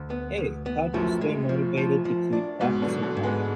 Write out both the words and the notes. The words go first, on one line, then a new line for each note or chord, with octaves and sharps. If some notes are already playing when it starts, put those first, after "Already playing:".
Hey, how do you stay motivated to keep practicing a hobby?
Already playing: D2
B3
D2
B3
F#2 A2 F3
G#3
F3
F3
F3
D4
G#2 B2 B3
B2 D3
F#3
B2 D3
G#2
G#3 B3